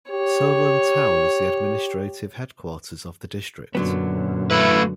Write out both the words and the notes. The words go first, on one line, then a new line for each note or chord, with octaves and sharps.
Solan town is the administrative headquarters of the district.
G4 C#5
F#2 A#2 D3 F#3 B3
A3 E4 B4